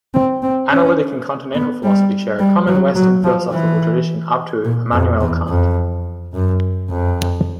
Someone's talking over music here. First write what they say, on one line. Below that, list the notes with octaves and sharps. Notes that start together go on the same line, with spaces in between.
Analytic and continental philosophy share a common Western philosophical tradition up to Immanuel Kant.
C4
C4
C#4
B3
G3
G3
F#3
F#3
F3
E3
A#2
F2
E2
F2
F#2
F2